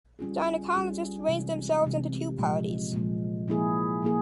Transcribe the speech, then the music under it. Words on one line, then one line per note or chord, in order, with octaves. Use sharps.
Gynecologists ranged themselves into two parties.
G3 C#4 F4 G#4
G3 C#4 F4 G#4
C3 E3 G#3
C3 E3 G#3
A#2 F3 G#3
A#2 F3 G#3
F3 A#3 E4 G#4
F3 A#3 E4 G#4